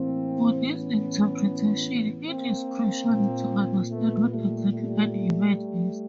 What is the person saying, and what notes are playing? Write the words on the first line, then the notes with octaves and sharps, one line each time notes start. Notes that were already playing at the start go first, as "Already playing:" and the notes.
For this interpretation, it is crucial to understand what exactly an event is.
Already playing: A2 E3 A#3 C4
B3 C#4
A#3 C4
A#2
A3 B3
G3 A3
G3 A3